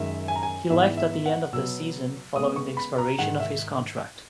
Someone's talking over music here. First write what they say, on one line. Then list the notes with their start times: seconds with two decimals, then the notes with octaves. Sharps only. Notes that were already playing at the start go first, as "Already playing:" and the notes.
He left at the end of the season following the expiration of his contract.
Already playing: F#2 D#3 G#3 E5
0.28 G#5
0.36 A#5
0.43 G#5
0.70 G#2 E3 B3 E5
0.97 E5
1.26 F#5
1.53 B2 F#3 B3 E6
2.36 C#3 G#3 B3 D#6
2.56 C#6
2.77 B5
2.98 A#5
3.18 G#2 D#3 G#3 F#5
3.40 E5